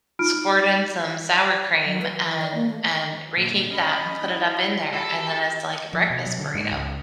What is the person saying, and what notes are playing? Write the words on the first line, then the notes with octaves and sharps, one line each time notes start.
squirt in some sour cream, and and reheat that and put it up in there, and then it's like a breakfast burrito.
D#4 F4 B5 F6 D7
F#3
B4
E3
D5
A#3
A3
A#2 D3 A3
C#4 D#5 B5
E4
F#4 G4 A4 B5
F3
B2
F#3
D3
G#2
C#2